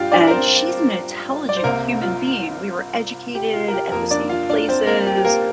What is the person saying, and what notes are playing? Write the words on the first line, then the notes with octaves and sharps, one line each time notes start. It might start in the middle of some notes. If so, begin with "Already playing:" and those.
And she's an intelligent human being, we were educated at the same places
Already playing: G2 F3 D4 F4 G4 F5 G5
D4 D5
A#4
C4 C5
D5
C5
C2 C3 A#3 A#4
F4
G4
F4
A#4
G4
F2 F3 A#3 A#4
D4 D5
F4 F5
D4 D5
C4 C5
A#3 A#4
G4
G4
A#3 A#4